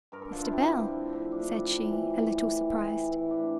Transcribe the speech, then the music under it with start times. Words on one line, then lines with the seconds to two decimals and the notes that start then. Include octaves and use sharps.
'Mr. Bell!' said she, a little surprised.
0.12 G2 A#4
0.22 A4
0.32 D3 F3 F4
0.43 E4
0.52 G2 C4
0.72 D3 F3
0.92 A2
1.13 F3
1.31 A2 D4
1.51 F3
1.71 A2
1.91 E3
2.11 A2
2.32 E3
2.51 A2
2.72 E3
2.90 A2
3.11 E3 E4
3.30 A2 D4